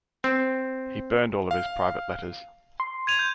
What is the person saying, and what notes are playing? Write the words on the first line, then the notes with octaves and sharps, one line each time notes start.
He burned all of his private letters.
C4
F5
C6
G#6 D#7 F7
G6